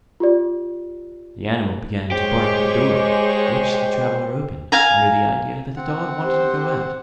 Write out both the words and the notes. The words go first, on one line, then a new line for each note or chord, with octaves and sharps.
The animal began to bark at the door, which the traveller opened, under the idea that the dog wanted to go out.
F4 G4 D5
G#3 G4 G#4 C5 C#5 C#6
F5 G#5 A#5
C4 F#5
G4 C5